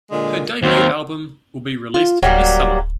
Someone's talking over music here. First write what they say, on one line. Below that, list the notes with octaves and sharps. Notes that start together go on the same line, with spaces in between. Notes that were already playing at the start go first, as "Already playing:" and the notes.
Her debut album will be released this summer.
A#2 D3 G#3
D#2 F#3 C4 A#4
F4
D1 F#3 G3 A#3